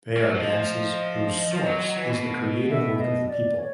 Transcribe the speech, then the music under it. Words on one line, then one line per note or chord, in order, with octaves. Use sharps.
They are dances whose source is the creative work of the people.
G3
F#3
F3 D#5
F3
F#3
F#3
E3
B2
E5
D#5
D5
C#5